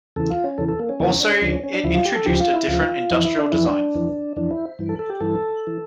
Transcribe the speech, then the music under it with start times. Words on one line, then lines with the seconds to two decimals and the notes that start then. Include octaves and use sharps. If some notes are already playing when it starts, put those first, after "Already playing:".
Also it introduced a different industrial design.
0.16 E2 C#3 E3 A4
0.30 F4
0.44 C#4
0.58 E2 C#3 E3 A4
0.69 A4
0.79 A#3
0.89 C#4
1.00 E2 C#3 E3 A#3
1.11 C#4
1.21 D4
1.31 C#4
1.41 D2 C#3 F3 D4
1.52 C#4
1.63 C#4
1.73 D4
1.84 D2 C#3 F3 E4
1.95 F4
2.05 G4
2.15 A4
2.26 D2 C#3 F3 G4
2.40 F4
2.54 E4
2.68 D2 C#3 F3 F4
3.10 F2 E3 E4
3.25 E4
3.38 D4
3.52 F2 E3 E4
3.66 D4
3.95 F2 E3
4.36 F2 E3 D4
4.51 E4
4.79 G2 E3
4.89 A4
4.99 A4
5.10 G4
5.20 G2 E3 A4
5.67 E3